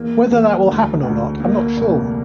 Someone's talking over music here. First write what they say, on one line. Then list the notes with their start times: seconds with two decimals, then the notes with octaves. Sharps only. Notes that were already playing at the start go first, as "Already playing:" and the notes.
Whether that will happen or not, I'm not sure.
Already playing: E2 A#3
0.30 E2
0.67 D2
1.03 D2
1.40 A#3
1.77 F1